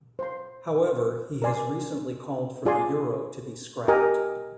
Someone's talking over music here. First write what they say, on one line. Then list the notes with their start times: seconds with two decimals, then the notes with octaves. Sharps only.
However, he has recently called for the euro to be scrapped.
0.19 C5 F5 C6
1.42 A#4 D5 G#5 C6
2.65 F4 G#4 D5 G#5 C6
3.88 G4 A#4 D#5 G#5